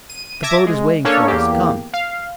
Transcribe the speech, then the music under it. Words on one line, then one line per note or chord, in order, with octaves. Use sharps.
"The boat is waiting for us; come."
D#7
E5 A5 D6 G#6 A#6
G#3
A#3 C#4 D4 A4 C#5
E2 A#3 G4
F5